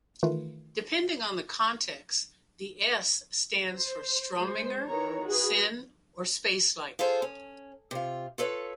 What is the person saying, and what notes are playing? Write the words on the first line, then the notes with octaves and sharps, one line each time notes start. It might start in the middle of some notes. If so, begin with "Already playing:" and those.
Depending on the context the "S" stands for "Strominger", "Sen", or "Space-like".
D#3 E3 A3 F4 B4
C5
G#3 C5
D#3 E3 C#5 A#5
F#4 G#4 B4
F4 G#4 A4 C5
C#4
C3 F4
F4 A4 B4 C#5